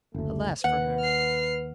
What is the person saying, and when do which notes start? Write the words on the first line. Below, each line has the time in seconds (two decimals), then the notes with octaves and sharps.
Alas for her!
0.14 F#1 D2 A3
0.64 D#2 B4 F#5
1.00 F6 C7